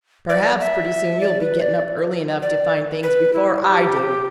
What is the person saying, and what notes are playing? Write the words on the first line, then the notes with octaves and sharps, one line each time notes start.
"Perhaps pretty soon you'll be gettin' up early enough to find things before I do!"
D5
E5
D5
B4
D5
D5
B4
E4
G4